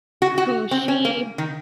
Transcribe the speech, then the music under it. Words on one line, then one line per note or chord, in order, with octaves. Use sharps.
who she
F#4
F#4
C4
C#4
A#3
D#3